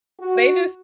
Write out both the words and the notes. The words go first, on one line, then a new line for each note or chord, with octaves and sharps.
They just
F#4